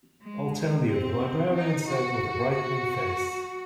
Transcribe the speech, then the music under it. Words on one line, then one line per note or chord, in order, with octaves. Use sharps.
I'll tell you, the librarian said with a brightening face.
G#3
C4
D#4
F#4
F#4